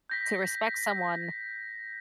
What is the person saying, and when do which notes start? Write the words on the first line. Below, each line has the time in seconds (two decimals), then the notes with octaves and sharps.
to respect someone
0.10 G6 A#6 B6